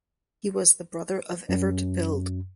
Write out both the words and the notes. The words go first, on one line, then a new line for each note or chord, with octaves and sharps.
He was the brother of Evert Bild.
F#2